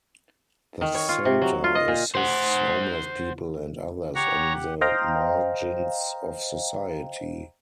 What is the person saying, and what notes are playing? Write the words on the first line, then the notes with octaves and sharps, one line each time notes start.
The centre assists homeless people and others on the margins of society.
D#3
C#5
F4
C3
F#3
F4
D#5
A#2
C5 F#5
G4 C#5 F#5 A#5
C5 D#5 F5 G5 A#5